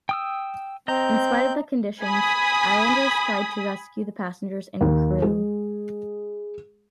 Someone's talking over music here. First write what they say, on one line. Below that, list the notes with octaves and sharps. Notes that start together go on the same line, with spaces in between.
In spite of the conditions, islanders tried to rescue the passengers and crew.
G5 D#6 E6
C4 D#5 A#5 G6
G#5 B5 D#6
D#2
G#3 G#4